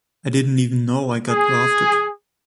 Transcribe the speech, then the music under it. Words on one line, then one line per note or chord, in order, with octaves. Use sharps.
I didn't even know I got drafted.
G#4